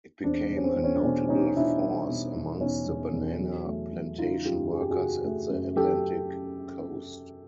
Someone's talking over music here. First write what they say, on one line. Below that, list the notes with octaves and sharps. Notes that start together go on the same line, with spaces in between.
It became a notable force amongst the banana plantation workers at the Atlantic coast.
E2 C4 D4
E2
C#4
C4
E2
C#4
D4
B2 C#4
B2 C#4 D#4
B2 D4 E4
G3
B2
E2
B2 C#4 D#4
E2
E2
F#3
A3
F#3
C#3 D#4 F4
F#2 F4 G4
F#2 G#4
G4
F#4 G#4
C#3
A3
F#2
F#3 G4 A4